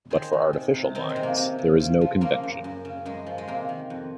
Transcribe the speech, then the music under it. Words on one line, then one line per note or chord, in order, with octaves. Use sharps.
But for artificial minds, there is no convention.
D#3 G#4 C5
D#3
C3
C3
D#3 C4 D#4
G#3
C3
A#3
C3
C3
C#3
F3
C#3 A#3
F#2
F#2
C#3
F#2 G#3
F3
G#3
C3 A#3
D#3
F2